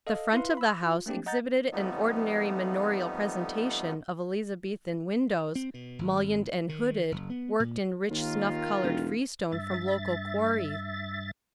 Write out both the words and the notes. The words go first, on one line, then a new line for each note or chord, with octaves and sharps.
The front of the house exhibited an ordinary manorial presentation of Elizabethan windows, mullioned and hooded, worked in rich snuff-colored freestone from local quarries.
A4 D#5 F5
E4 B4 F5 C6
B5 E6
F4
A3 A#3 C4 D4 G4
D#5 F#5 A#5 G6 A6
F2 F3 G3 A3 B3 D#4
C4
B2
G#1
D#3
F#1
B3
A#2
D#2 D#3 F4
E1
G2 E5 A6